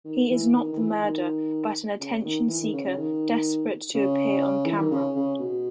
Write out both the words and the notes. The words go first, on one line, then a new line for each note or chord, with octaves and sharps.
He is not the murderer, but an attention seeker desperate to appear on camera.
D#3
E3
D#3
D#3
E3
D#3
C#3
D#3
E3
D#3
C#3
C#3
D#3
C#3
E3
D#3
C#3
C#3
B2